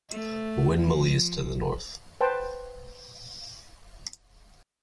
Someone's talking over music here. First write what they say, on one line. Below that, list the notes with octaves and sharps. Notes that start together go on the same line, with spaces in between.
Winmalee is to the north.
A3
F3
B4 C5 G5 A5